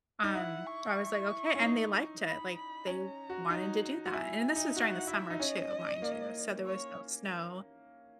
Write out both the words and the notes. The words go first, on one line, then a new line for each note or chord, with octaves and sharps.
Um, I was like, "Okay" and they liked it, like, they wanted to do that. And this is during the summer too, mind you, so there was no snow,
D#4
E4 F#5
C#6
C#4
D#4
B5
B5
C#4 A#5
F#4
D#4
F#4
E4 G#5
D#4
F#4 F#5
E4 E5
D#4
C#4 D#5
A#3
C#5